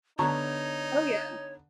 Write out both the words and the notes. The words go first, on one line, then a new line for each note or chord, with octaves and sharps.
Oh, yeah.
D3 B3 D#4 C#5 A5 A#5 C#6